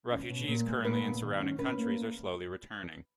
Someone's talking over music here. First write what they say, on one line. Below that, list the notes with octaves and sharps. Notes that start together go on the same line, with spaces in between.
Refugees currently in surrounding countries are slowly returning.
C#4
B2
A#2
G#3
A#2 B4
B3
D#3
C#4
C#4 B4
A#3